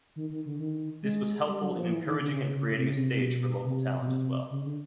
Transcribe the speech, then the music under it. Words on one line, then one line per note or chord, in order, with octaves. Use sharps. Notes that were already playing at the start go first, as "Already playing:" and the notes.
This was helpful in encouraging and creating a stage for local talent, as well.
D#3
D#3
D3
D#3
G#3
G3
F#3
F3
E3
D#3
D3
C#3
C#3
C3
C#3
C3
C3
B2
C3
B2
C3
C#3
D3